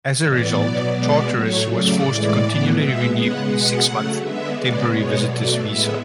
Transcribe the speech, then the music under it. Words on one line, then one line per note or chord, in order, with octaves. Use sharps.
As a result, Charteris was forced to continually renew his six-month temporary visitor's visa.
A2 E3 B3 D5
B2 F#3 B3
B2 G#3 B3 D5
A2 F#3 A3 C#5
C#3 F#3 A3 D5
A2 E3 G#3
A2 E3 B3
B2 G#3 B3 E5
C#3 G#3 B3 F#5
B2 G#3 B3 F#5
C#3 F#3 A3
D3 G#3 B3 E5
C#3 G#3 B3 D5
B2 G#3 B3 C#5
B2 F#3 A3 D5
A2 G#3 B3 E5